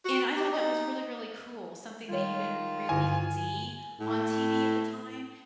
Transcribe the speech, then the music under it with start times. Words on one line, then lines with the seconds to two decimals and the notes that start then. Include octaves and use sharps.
and I thought that was really, really cool, something that you didn't really see on TV at the time,
0.05 F#4
0.36 G4
0.53 D#4
2.09 D#3 G3 F4 C#5
2.89 G2 D3 E4 G#5
4.00 A2